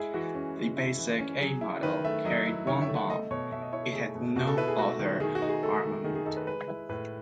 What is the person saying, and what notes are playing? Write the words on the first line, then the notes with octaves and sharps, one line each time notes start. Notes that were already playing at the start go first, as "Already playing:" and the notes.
The basic A model carried one bomb; it had no other armament.
Already playing: G#3 E4 G#4
E3 F#4
C#4
G#3
E4
E3
C#4
F#3 G#4
E4
D#3 B4
A3 E5
F#3 D#5
E4
D#3 C#5
E5
A3
F#5
A3 D#5
B2 C#5
B2 E5
D#5
E4 C#5
A4
A3 G#4
B2
B2 F#4
A4
E4 B4
G#4
A3 F#4
D#3
D#3 G#4
F#4
D#4
G#4
A3 A4
D#3
D#3 G#4
G#4
D#4 A4
B4
G#3 B4
E4
A2 B4